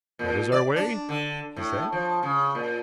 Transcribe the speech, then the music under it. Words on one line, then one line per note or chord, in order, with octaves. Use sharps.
"That is our way," he said.
A#2
D5
D4
D3
A2
F3
C#3
A#2